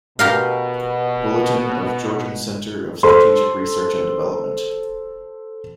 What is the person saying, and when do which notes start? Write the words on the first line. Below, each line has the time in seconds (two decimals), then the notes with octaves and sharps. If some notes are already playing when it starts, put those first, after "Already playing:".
Bulletin of Georgian Centre of Strategic Research and Development.
0.19 B2 G4 A#4 F5
3.03 A4 C5 C6